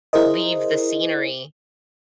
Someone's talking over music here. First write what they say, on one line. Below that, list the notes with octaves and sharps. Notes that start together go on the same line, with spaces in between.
leave the scenery
E4 G#4 A#4 C5 D#5